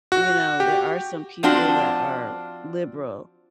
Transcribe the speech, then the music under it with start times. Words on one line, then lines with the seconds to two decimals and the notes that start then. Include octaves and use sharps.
you know, there are some people that are liberal,
0.12 F#4
0.60 G4
1.43 F3 C4 D4 F4 F#4